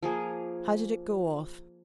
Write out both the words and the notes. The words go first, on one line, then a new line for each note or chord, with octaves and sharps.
"How did it go off?"
F3 A#3 G#4